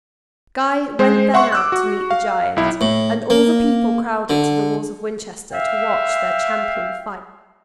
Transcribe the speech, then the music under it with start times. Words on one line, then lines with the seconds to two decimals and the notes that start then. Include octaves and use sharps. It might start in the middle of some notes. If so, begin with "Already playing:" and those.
Guy went then out to meet the giant, and all the people crowded to the walls of Winchester to watch their champion fight.
0.99 G#3 C5
1.34 E5 F#5 C6 C#6
1.52 D6 E6 F#6
1.72 F#4
2.11 F5
2.56 B1 E4
2.81 A2
3.30 A#3
4.30 D3
5.52 E5 F5 G5